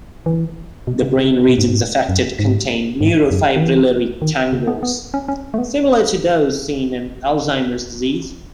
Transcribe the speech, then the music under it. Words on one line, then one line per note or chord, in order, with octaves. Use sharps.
The brain regions affected contain neurofibrillary tangles, similar to those seen in Alzheimer's disease.
E3
B2
C#3
C#3
B2
G#2
G#2
F#2
G#2
G#2
F#2
D#3
E3
D#3
C#3
B3
B3
C#4
C#4
A3
B3